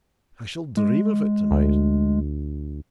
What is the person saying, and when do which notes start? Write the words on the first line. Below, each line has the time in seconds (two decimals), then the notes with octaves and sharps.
I shall dream of it to-night.
0.77 G#3
1.51 D2